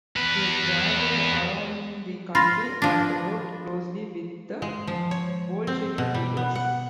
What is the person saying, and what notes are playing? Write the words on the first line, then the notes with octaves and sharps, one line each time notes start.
He traveled around the country and worked closely with the Bolshevik leaders.
E2 B4
F4 B5 C6 A#6
F3 D4
G#3
F3
C#5
C4
B2
G3
B3
F#5